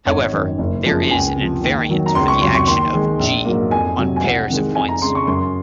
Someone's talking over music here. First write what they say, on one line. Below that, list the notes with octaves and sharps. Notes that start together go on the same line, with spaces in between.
However, there is an invariant for the action of "G" on "pairs" of points.
G#1 C#5
F#2 D#3
F#1
F#2 F3 G#3
C#2 G#5
C3
F3
D#2
D#3 F#3
A#5
C#2 C6
C#6
C3 F#3 C6
C#6
D#2 C6
D#3 G#3
A#1
G#2 F#3 A#3
F2 G#5
C3 F#3
G#5
C2 F#5
C3 D#3 G#3
F2 G#5
A#5
C#3 G#3 C6
C#6
F#2 C6